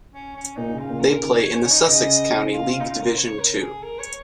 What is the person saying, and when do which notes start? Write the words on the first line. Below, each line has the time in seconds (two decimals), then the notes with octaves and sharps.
They play in the Sussex County League Division Two.
0.14 C#4
0.36 C#4
0.57 A#2 D#4
0.74 C#3
0.79 F4
0.90 A#2
1.00 A#4
1.06 C#3
1.22 D#3 A#4
1.39 C#5
1.55 C#4
1.71 D#4
1.87 C#3 D#5
2.53 F4
2.69 F4
2.80 D#4
2.85 F4
3.01 A#4
3.18 C#5
3.39 A#4
3.61 G#4
3.83 A#4
3.99 C#5